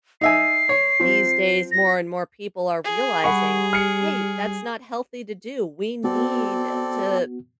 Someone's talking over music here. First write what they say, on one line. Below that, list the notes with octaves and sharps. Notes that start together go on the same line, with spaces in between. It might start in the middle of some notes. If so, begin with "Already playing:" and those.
these days, more and more people are realizing, “Hey, that's not healthy to do, we need to
D#4 E5 G#5 C7
C#5
F3 C4
A#6
G#4
G3 F#5 B5 C#6
F6 C7 C#7
B3 C4 F#4 A4 D5